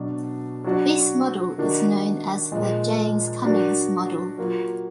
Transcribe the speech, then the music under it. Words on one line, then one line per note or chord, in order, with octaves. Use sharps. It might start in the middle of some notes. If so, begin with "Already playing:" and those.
This model is known as the Jaynes-Cummings model.
Already playing: B2 F#3 D4
F#3 D4 F#4 D5
D#3 A#3 D4 F#4
A#2 F3 G#3
F#3 D4 F#4 A#4 D5
F#3 A#3 F4